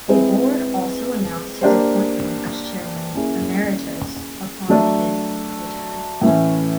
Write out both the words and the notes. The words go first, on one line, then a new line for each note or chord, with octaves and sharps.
The board also announced his appointment as chairman "emeritus" upon his retirement.
G#3 C4 E4 G#4 B4
A#3 D4 G4 C5
A#3 C#4 E4 G#4
F#3 A3 D4
A2 E3 A3 C#4